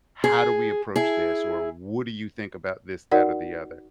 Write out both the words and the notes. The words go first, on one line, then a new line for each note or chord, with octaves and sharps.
how do we approach this? Or what do you think about this, that, or the other?
G#4
E4 G#4
D#4 F#4 A#4 D5 F#5